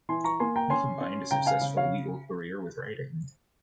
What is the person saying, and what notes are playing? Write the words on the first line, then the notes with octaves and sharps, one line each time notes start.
He combined a successful legal career with writing.
E3 G#5 C6
A#5 C#6
A#3 G#5 C6
G5 A#5
C#4 G#5 C6
C#4
C#3 G5 A#5
F5 G#5
C#3
C#5 F5